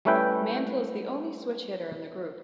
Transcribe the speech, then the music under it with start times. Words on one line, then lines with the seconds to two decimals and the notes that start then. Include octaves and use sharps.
Mantle is the only switch-hitter in the group.
0.05 G3 A3 C#4 E4 B4 G5